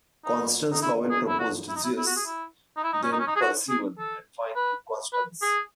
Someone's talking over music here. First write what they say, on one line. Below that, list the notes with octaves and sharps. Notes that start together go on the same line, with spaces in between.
Constance Lowell proposed "Zeus", then "Percival" and finally "Constance".
D#4
D#4
E4
G#4
E4
F#4
E4
D#4
E4
E4
F#4
G#4
E4
D#4
E4
D#4
C#4
D#4
C#4
D#4
G#4
F#4
G#4
A4
B4
B4
G#4